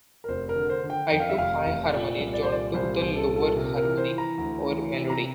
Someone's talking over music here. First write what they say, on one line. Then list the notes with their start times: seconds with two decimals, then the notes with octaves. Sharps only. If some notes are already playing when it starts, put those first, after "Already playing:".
I took the high harmony, John took the lower harmony or melody.
0.24 A#4
0.29 F1 C5
0.49 A#4
0.56 D3
0.69 C5
0.84 D3
0.90 G5
1.11 F2 G5
1.20 F5
1.29 E5
1.38 F1 F5
1.66 F1
1.92 A#2 D5
2.20 C2
2.33 D5
2.43 A#2 C5
2.52 D5
2.74 C2 C5
2.95 C5
3.02 C2
3.15 A4
3.29 A#2
3.36 A4
3.57 C3 A#4
3.77 A#4
3.84 E3
3.97 C5
4.11 E3
4.18 A#5
4.38 D2
4.65 E3
4.93 C3
5.10 A#5